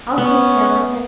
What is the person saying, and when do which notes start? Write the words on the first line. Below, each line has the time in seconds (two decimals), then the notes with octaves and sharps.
'I'll take care of him.
0.18 B3 C#4